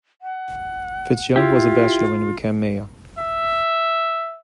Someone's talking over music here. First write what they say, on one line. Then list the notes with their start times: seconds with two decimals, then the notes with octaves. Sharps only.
FitzGerald was a bachelor when he became mayor.
0.22 F#5
1.36 E4 F4 G4
3.18 E5